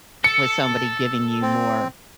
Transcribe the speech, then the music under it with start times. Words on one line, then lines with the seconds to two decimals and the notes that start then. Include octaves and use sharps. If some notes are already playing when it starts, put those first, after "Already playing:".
with somebody giving you more,
0.24 A4 C#7
1.42 C4